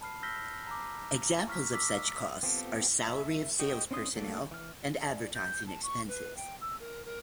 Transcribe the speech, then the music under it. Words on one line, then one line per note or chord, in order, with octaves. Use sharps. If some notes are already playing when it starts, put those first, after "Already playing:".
Examples of such costs are salary of sales personnel and advertising expenses.
A5 B5 F6 C7
E6 F6 G6 A#6 B6 G7
A#5 D6
C#6 F6 B6
D6 E6 B6
B3 C4 F4 G4 A4
E5
F#4 G4 D#5 G5
C4 C#4 D#4 C6 D#6
F#3 A3 A#3 A4 D5
E3 F6
D5
G6
A5
C#6
B4
G5
E6
A#4
A#4